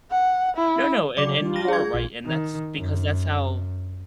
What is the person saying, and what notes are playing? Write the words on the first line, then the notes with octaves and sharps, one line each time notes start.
No, no. And and, you are right. And that's because that's how
F#5
E4
C#3 F#3 D5 D6
G3 D4 F4
A#6
G#4 G#6
A1 A#2 F4
D#3
F#2